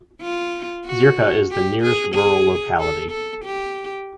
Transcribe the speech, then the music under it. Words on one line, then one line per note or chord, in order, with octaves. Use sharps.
Zirka is the nearest rural locality.
F4
F#4
G4
G#4
G#4
A4
A4
G4